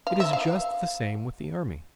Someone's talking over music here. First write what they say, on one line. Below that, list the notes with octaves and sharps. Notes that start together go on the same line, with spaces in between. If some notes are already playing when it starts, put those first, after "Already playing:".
It is just the same with the army.
F5
E5
F5